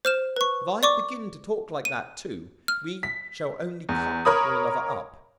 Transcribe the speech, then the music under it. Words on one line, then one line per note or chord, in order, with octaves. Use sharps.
If I begin to talk like that, too, we shall only cut one another up.
C5 F6 E7
B4 C#6
D5 C#6 D6
D#7
F6
B6
E2
A#4 C#5 B5 D#6